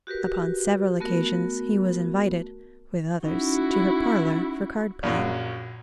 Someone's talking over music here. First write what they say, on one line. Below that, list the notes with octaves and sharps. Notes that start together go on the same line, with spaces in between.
Upon several occasions he was invited, with others, to her parlor for card playing.
F#4 G4 A#4 B4
A3 B3 F#4 A#4
C#4 D#4 E4 F#4
A#1 F#2